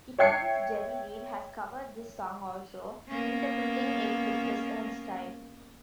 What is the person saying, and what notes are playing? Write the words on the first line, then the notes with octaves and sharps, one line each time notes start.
Guitarist Jerry Reed has covered this song also, interpreting it with his own style.
C#5 E5 G5 G#6 C7 C#7
A#3 B3 C#4